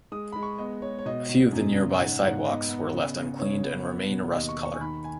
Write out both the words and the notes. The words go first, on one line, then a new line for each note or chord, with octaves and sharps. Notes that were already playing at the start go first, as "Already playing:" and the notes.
A few of the nearby sidewalks were left uncleaned, and remain a rust color.
G#3 D#6
G#3 B5
C#6
B3 D#5
G#3 C#5
C#5
B2 D#5
B2
F#2
C#3
G#2 F#5
G#2 F#5
B3 D#5
B3
C#3
C#3
C#3 C#5
B3
B3
B2
D#2 D#5
C#6
D#2
C#6
G#5
D#3 B5
G#5